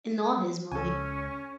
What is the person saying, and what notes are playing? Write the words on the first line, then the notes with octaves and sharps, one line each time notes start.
In all his movie,
C#2 C#4 A4 G#5 C#6